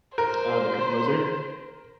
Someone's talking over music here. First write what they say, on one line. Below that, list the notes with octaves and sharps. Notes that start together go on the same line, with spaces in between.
uh, the composer.
A#4 C5